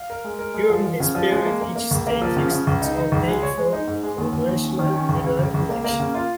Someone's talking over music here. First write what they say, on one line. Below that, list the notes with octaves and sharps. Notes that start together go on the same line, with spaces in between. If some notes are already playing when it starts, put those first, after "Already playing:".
During this period, each state fixed its own date for a congressional general election.
Already playing: F5
A#4
G#3
A#4
G#3
F3
F3
C#3
F3
G#3
A#3
A#3
A#3
C#2
A#3
F3
C#3
C#3
C#2
D#4
D#4
C#2
G#3
C#5
G#3
D#4
G#2
G#3
D#2
D#2
D#2
C#4
D#3
C#4
C#2
C#3
C#2
C#2
A#3
A#3
C#3
F4